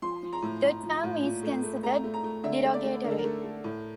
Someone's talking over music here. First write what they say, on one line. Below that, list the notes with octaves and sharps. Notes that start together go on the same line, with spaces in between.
The term is considered derogatory.
F3 C6
F3
A#5
A2
A2
F3
A2
A#2
A3
A3
A3 A#5
A3
A#5
A3
D3 E5
A3
D5
A3
D3 A#4
A4
A#4
A3
A3
A2